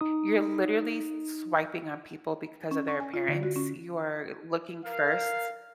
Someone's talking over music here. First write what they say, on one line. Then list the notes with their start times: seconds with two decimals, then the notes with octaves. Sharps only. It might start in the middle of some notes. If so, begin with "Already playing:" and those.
you're literally s swiping on people because of their appearance, you are looking first.
0.01 D#4 D#6
2.71 C#4
2.88 C#6
3.00 G#5
3.14 F4
3.28 D3
3.43 F#4
3.56 C#4
4.85 A#4 F5